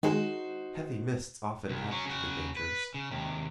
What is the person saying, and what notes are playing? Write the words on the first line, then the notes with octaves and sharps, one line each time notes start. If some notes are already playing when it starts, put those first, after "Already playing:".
Heavy mists often added to the dangers.
D#3 G#3 D#4 F#4 C5
C2
F#3 C#4
C#3 F#4
B4
C#3
D#2 C3